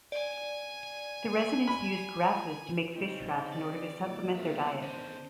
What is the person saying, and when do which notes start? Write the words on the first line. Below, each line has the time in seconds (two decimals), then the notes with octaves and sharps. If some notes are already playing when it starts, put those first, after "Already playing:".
The residents used grasses to make fish traps in order to supplement their diet.
0.12 D5 G#5
1.67 B5
2.94 C#3 C4 D#4
3.52 D5
4.04 A#2 D#3
4.35 E2 G#3 B3 C4 E5 F5
4.82 D3 D#3 B3 C#4 D4 C5